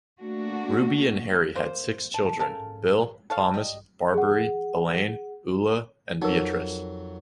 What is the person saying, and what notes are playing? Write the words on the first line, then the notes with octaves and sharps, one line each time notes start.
Ruby and Harry had six children: Bill, Thomas, Barberry, Elaine, Ula and Beatrice.
A3 A#3 D4 F#4
A#3 C5
A5
C#3 A4 A#4
A4 C#5 F5
G3 D#5
G#4 F#5
F2 F#3 D#4 A#4